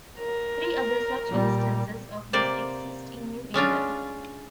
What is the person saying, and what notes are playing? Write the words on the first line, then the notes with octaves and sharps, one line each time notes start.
Three other such instances of this exist in New England.
A#4
A#2 G3
C3 A#3 C5 D5
G#3 C#4 D4 F4